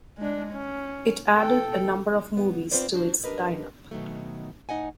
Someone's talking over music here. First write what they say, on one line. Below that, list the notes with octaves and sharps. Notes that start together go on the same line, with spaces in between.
It added a number of movies to its lineup.
G#3 D4
C#4
A4 G5
B3
C4 D4 F4 B4 C5 D5
D4 F#4 C5
D4 G4 A#4 B4 D#5
B2 D#3 F#3 A3
A2 D#4 D#5 F#5 G#5